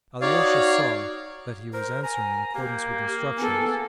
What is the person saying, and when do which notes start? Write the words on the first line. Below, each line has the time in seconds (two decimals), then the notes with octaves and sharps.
Alyosha saw that he was answering in accordance with instructions.
0.21 D#4 F#4 C#5 D5 F5
1.73 A#4 C5
2.03 G#5 A#5
2.55 A#3 G4
3.37 B3 A4 G#5